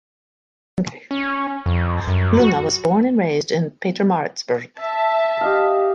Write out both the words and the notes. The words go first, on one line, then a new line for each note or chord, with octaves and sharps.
Lunga was born and raised in Pietermaritzburg.
C#4
F2
F#2
F#4
E5 A5
G4 D#5 F5